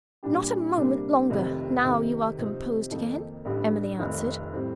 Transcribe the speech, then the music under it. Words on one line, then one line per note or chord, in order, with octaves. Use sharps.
"Not a moment longer, now you are composed again," Emily answered.
A#2 G3 D4 G4
C3 G3 A#3 D4
F1 F2 C3 D#3
C3 D#3 A3
C3 F3 C4 D#4
F2 D#3 A#3 D#4 A4
A1 G2 D3 G3
F1 F2 D#3
A2 G3 C4